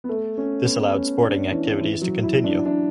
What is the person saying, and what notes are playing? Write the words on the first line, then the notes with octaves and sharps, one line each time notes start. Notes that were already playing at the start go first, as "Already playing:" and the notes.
This allowed sporting activities to continue.
B3
A3
C#4
B3
C#4
D4
E3
E3
F#3
E4
D4
D4